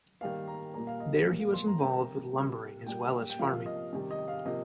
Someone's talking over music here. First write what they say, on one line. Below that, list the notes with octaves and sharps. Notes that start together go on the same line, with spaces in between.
There he was involved with lumbering as well as farming.
D#3 G3 A#3 F5
A#5
A#2 G3 A#3 A#5
F5
D#5
C5
A#2 G3 A#3
F5
C6
A#5
C3 G3 A#3 G5
A#5
C3 G3 A#3
A#2 G3 A#3 G5
G5
C3 F3 A#3 F5
D#5
C3 D#3 G3
D#5
F5
C3 F3 A#3 D#5